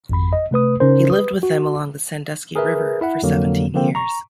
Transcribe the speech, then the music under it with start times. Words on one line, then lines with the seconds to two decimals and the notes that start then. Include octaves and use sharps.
He lived with them along the Sandusky River for seventeen years.
0.09 G#1 F2 B5
0.33 D#5
0.51 C3 A3 B4 D#6
0.80 C#3 C#4 D#4 A#4 C5
1.10 B4 D#6
1.43 F#4
2.56 G#4 A#4 B4 E5
3.01 E4 E5 F#5
3.22 F2 D3 F#3 A#3
3.74 D3 F3 A#3 C4
3.95 A#5 C#6